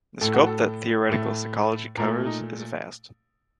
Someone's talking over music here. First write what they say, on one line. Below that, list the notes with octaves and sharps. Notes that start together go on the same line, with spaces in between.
The scope that theoretical psychology covers is vast.
A2 A3 A4
F#4
A4
A2 A3
A#2 A3 A#4
D#4